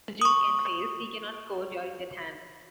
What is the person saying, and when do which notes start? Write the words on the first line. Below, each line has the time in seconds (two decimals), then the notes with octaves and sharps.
If he elects to jink and fails, he cannot score during that hand.
0.21 C#6 D#6